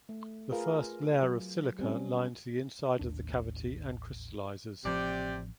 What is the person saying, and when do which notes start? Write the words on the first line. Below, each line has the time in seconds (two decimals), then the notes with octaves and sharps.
The first layer of silica lines the inside of the cavity and crystallizes.
0.09 A3
0.52 F4 G#4 A#4 B4 F5
1.23 F#3
1.79 G3 C4 C#4
2.99 A1 D#2 D4
4.85 A1 C3 F3 C4 D5 G5